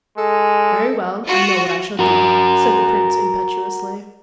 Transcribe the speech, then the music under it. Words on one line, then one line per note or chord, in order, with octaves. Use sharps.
"Very well, I know what I shall do," said the prince, impetuously.
G#3 A4
F4 F#4
F#4 A#4